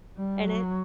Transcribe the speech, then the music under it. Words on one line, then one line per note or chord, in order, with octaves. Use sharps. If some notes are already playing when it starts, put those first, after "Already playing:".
and it
G3
F#3